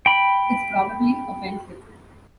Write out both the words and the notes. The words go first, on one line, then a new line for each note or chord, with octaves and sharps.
It's probably offensive.
G5 B5